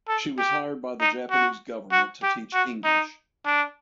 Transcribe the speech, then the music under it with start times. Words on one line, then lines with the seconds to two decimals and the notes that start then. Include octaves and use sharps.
She was hired by the Japanese government to teach English.
0.08 A4
0.39 G4
1.00 D#4
1.31 F#4
1.92 F#4
2.23 G4
2.54 F#4
2.84 D#4
3.46 D4